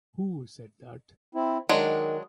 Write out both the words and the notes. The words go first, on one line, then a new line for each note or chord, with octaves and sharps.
Who said that?
C4 E4
D#3 F#3 G#3 D4